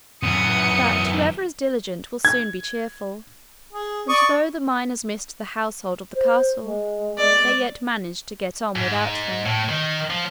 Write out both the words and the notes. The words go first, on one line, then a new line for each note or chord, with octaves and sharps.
But whoever is diligent will soon be cheerful, and though the miners missed the household of the castle, they yet managed to get on without them.
F#2 E3 D#6 C#7
G#6
G#4
D5 C#6 D#6
C5
G#3
D5
G#2
A2
D#3
F3